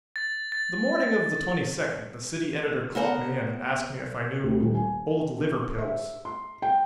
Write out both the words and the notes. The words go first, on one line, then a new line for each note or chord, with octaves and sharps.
The morning of the twenty-second the City Editor called me in and asked me if I knew "Old Liverpills."
A6
A6
B3 A#4 C5 F#5
D2
D#1
G#5
D3
E5
C6
G5